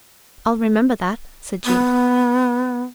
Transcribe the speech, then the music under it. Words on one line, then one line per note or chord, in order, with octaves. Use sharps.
"I'll remember that," said Jean.
B3